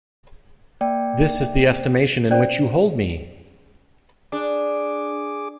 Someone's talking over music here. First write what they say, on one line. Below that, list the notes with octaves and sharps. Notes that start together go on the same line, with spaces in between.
This is the estimation in which you hold me!
A#3 D5 G5
C#4 C5 D5
D4 G#4 D6